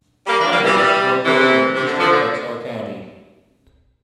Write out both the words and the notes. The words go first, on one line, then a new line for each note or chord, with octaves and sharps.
Converse is located in eastern Bexar County.
G3 A#3
A#3 D4
G3 A#3
E3 G3
E3 G3
C3 E3
C3
D3
D3 F3
D3